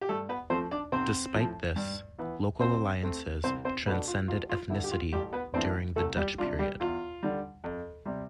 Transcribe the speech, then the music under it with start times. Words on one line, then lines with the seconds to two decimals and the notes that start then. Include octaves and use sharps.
Despite this, local alliances transcended ethnicity during the Dutch period.
0.01 G4
0.09 G2 A3 A4
0.29 B3 B4
0.50 F3 A3 C4 C5
0.71 D4 D5
0.92 B1 C4 C5
1.35 A2 F3
1.76 G2
2.18 E3 B3
2.60 B2 C4 C5
3.03 A3 C4
3.44 C2 C4 C5
3.65 C4 C5
3.86 B2 A3 B3 D4 B4
4.08 F4
4.28 A1 F4
4.49 F4
4.70 D3 E4
4.73 G2
4.84 G4
4.91 F4
5.12 A1 G3 G4
5.33 B3 B4
5.54 A2 E3 B3 C4 D4 C5
5.96 C2 A3 A4
6.17 G3 G4
6.38 C3 G3 D4 F4
6.59 G3 G4
6.80 E2 F4
7.23 D3 G3
7.64 F2
8.06 C3 G3